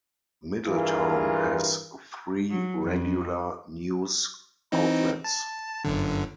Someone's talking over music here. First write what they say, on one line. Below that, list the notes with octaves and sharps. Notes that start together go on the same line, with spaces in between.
Middletown has three regular news outlets.
G2 E3 F4 G#4 A#4
F#3
F2
E3 C4 D#4
A5
G1 F#2 D3